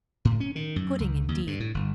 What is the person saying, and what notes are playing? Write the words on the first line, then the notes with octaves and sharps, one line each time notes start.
Pudding, indeed!
A2
C#4
D#3
F#2
C#2
D#2
G2
A2
G1